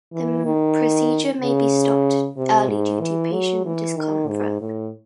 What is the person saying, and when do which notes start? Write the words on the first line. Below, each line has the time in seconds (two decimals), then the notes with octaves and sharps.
The procedure may be stopped early due to patient discomfort.
0.13 E3
0.46 D#3
1.41 C#3
2.37 C3
2.69 G#2
3.01 E3
3.33 F#3
3.65 E3
3.97 D#3
4.28 G#2
4.61 A2